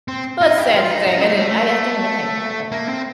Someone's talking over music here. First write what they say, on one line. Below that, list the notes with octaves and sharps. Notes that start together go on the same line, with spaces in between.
it's sad to think, I didn't I I didn't realize that,
C4
D#4
G4
F4
D#4
D#4
A3
G3
A3
A#3
C4